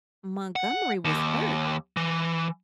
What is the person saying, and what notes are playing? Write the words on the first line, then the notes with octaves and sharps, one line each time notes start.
Montgomery was hurt,
F#5
D#2
E3